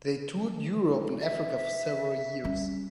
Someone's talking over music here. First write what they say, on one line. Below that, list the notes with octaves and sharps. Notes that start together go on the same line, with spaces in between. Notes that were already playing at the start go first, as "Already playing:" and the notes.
They toured Europe and Africa for several years.
E5
G3 C#4